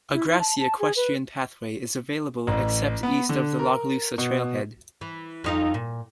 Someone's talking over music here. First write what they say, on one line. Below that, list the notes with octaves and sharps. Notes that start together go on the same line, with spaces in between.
A grassy equestrian pathway is available except east of the Lochloosa trailhead.
E4
E4
A5
A5
G#4
B4
A1
B3
D3
A#4
B2
E3
F2 D#4 F5
A#2